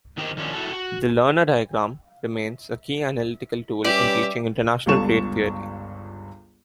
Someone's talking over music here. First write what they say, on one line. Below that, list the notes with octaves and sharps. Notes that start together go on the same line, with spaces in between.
The "Lerner Diagram" remains a key analytical tool in teaching international trade theory.
D#3 D#4 G4 A#4 C5
D#3 F3 A#3 C#4 D4
E4 F#4 A4
F#4
G3 C#4 G4 B4 D5 E5
G1 C#2 G2 A4 C#6 E7